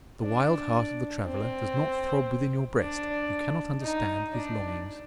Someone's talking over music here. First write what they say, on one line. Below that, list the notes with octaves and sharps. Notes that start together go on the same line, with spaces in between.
The wild heart of the traveller does not throb within your breast; you cannot understand his longings.
D4
C4
D4
D#4
D4